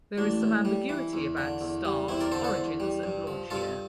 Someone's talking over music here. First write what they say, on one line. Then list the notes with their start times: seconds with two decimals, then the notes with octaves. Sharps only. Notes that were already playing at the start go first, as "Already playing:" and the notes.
There is some ambiguity about "Star"s origins and launch year.
0.18 A1 D4
0.42 A2
0.65 G3
0.89 E3
1.13 E2
1.37 D3
1.61 E2
1.85 G3
2.08 E2 C4 E4
2.20 A#4 D5
2.32 D3 A4 C5
2.44 A4 C5
2.56 E2
2.80 G3
3.04 G2
3.27 F3
3.50 G2 F4 A4